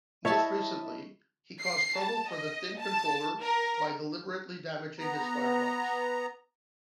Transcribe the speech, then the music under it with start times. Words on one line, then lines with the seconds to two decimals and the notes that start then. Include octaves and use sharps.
Most recently, he caused trouble for the Thin Controller by deliberately damaging his firebox.
0.25 E4 C#5 D#5 E5 A5
1.61 C7
1.99 A5
2.31 D#5
2.79 A5
3.42 A#4
4.99 B3 A#5